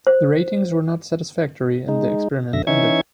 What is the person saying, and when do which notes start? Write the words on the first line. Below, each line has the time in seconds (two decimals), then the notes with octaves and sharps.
The ratings were not satisfactory, and the experiment ended.
0.07 C5
1.89 G#3 D#4
2.53 F#2 D3 E5 A#6
2.67 E3 C#4 D#4 E5 C#6 G#6